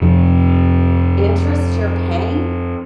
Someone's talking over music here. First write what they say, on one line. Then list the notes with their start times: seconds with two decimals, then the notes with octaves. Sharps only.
interest you're paying
0.02 F2 C3